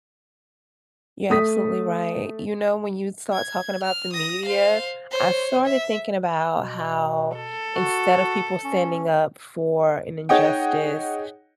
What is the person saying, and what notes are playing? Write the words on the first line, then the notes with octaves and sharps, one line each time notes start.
You're absolutely right. You know, when you start talking about the media, I started thinking about how instead of people standing up for an injustice,
A3 D#6 B6
G#6
F6
D#6 A#6
C5 F5
C5 C#5
E5
B2
A4
F#4
C#4
D#4 G#4 C#5 D#5 F#5 G5